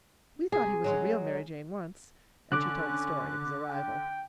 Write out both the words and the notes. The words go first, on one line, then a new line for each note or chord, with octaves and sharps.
"We thought he was a real Mary Jane, once." And she told the story of his arrival.
C3 G#4
F#3 G#3 C#4
D3 C#4 D6 F#6
G5